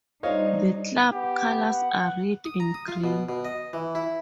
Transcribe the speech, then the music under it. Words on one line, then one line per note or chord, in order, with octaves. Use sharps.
The club colours are red and green.
G3 D4 D#4 F4 C5 C#5 D#5 F5
B3 G4
F#5
D#6
A#5
D#6
F4
B2
B2
D#5
E3
E4